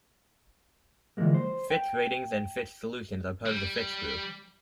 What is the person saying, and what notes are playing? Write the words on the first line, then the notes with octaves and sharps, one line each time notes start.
Fitch Ratings and Fitch Solutions are part of the Fitch Group.
D3 E3 F3 G#3 A#3
C5
G5
G3